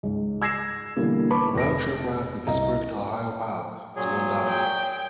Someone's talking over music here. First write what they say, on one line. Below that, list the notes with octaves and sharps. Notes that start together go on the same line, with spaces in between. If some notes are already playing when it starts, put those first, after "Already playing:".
The round trip ride from Pittsburgh to Ohiopyle was one dollar.
C#2 G#2
E6 G#6 A#6 C7 E7
B2 D3 E3 G3 A#3
B4 A5 B5 C#6 D6
F1 A#6 D7
C2 D#5 A#5
A#2 F#3 G#4
G5